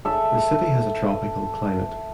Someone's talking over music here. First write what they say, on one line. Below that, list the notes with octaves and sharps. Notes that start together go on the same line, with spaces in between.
The city has a tropical climate.
A4 E5